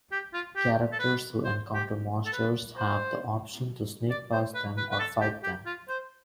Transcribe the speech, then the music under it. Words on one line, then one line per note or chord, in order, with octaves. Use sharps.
Characters who encounter monsters have the option to sneak past them or fight them.
G4
F4
G4
A4
B4
C5
G4
A4
B4
C5
D5
C5
B4
B4
B4
A4
G4
G4
F4
C5